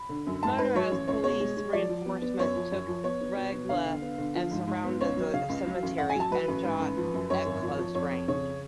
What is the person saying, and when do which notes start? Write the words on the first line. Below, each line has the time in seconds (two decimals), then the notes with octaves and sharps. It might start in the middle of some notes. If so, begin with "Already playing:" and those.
Motorized police reinforcements took Regla and surrounded the cemetery and shot at close range.
Already playing: B5
0.09 D3
0.27 F#2
0.42 G#2 A5
0.58 G#2 B4
0.75 F#3 C#5
0.92 A1
1.08 C#2 C#5
1.24 B2 C#5
1.40 G#3
1.57 G#3
1.73 F3 D5
1.89 F3
2.06 B3
2.22 B3
2.39 F#2 C#5
2.56 F3
2.71 F#2
2.88 F3
3.04 B3 C#5
3.21 B3
3.37 B2
3.54 B3
3.69 D3 F5
3.86 D3
4.02 B3
4.18 D3
4.35 F3
4.52 G#2
4.67 G#2
4.84 B3
5.01 C#2 C#5
5.17 F#3
5.33 C#3 F5
5.49 C#2
5.66 F#3
5.83 A1
5.98 A1 F#5
6.10 G#5
6.16 F#3 A5
6.31 F#3 B4
6.48 A1
6.64 G#2
6.80 A1
6.97 F3
7.14 F#2
7.30 F#2 C#5
7.46 G#1
7.62 F3
7.78 F3
7.95 F2 C#5
8.11 F2
8.28 C#3 C#5